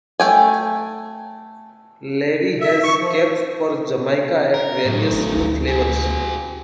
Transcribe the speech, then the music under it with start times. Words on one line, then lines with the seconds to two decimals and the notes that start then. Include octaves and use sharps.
Levee has caps for Jamaica at various youth levels.
0.20 A3 G5 G#5
2.60 E5
2.83 C#6
3.01 F3
4.54 A#4
4.85 A2 F#3 A3
5.11 G#1
5.34 D2
5.68 F#4 G#4